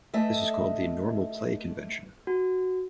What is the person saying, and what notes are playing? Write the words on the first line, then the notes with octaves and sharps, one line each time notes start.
This is called the "normal play" convention.
A3 D#5 E5
F#4